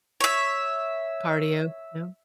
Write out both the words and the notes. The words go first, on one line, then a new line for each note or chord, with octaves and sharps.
Cardio? No.
C#5 E5